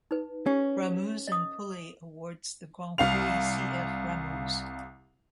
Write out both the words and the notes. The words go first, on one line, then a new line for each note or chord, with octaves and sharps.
Ramuz in Pully awards the Grand Prix C. F. Ramuz.
D#4 B4
C#4 G4
D#5 D#6
C2 F5 F7